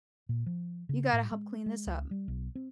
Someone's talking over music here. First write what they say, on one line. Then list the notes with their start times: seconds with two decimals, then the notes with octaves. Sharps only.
you gotta help clean this up."
0.29 A#2
0.46 F3
0.89 C#3
1.13 A2
1.31 G#3
1.66 G#3
1.87 C#2
2.11 G3
2.28 B1
2.55 C4